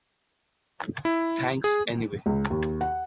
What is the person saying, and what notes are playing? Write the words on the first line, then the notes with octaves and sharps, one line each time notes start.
Thanks anyway.
E4
G#4
C#2
D#2
F#5